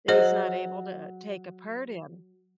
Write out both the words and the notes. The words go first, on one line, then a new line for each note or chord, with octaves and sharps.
that he's not able to, uh, take a part in.
F#3 G#4 C5 D#5